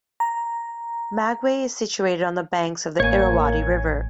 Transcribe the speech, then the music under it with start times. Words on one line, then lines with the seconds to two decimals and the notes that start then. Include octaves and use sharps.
Magway is situated on the banks of the Irrawaddy River.
0.20 A#5
3.00 A1 A#3 C#5 G#5